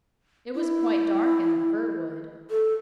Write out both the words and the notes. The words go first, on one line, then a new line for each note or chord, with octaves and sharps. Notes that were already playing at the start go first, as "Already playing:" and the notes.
It was quite dark in the fir wood.
E4
A4